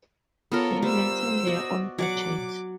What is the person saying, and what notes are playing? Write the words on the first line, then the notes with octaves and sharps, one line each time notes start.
They maintain their own budget.
B3 F4 A4 A#4 C#5
G3 C5 E6
F#4 D5 D#5
F#3 D5 F#5 D6